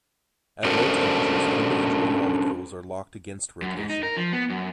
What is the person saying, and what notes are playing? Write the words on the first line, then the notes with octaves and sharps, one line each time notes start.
At low temperatures the individual molecules are locked against rotation.
C#4 D4 F#4 A4 A#4 C5
F#2
G#2
D#4
A#4
F3
B3
F#2